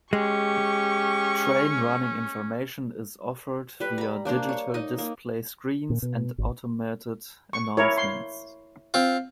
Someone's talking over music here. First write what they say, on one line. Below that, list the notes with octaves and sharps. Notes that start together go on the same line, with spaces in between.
Train running information is offered via digital display screens and automated announcements.
G#3 C#4 G4 C#6
G3 B4
A#5 B5
A#3 D4 C5 A#5
C#5
D#4 D#5
A#3
A#2
B2
G#1
C#6
E4 A#4 C#5
C6
C4 F4